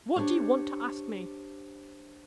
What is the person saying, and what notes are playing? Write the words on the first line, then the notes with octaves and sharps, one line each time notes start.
"What do you want to ask me?"
D4 F4 G4 C5 C#5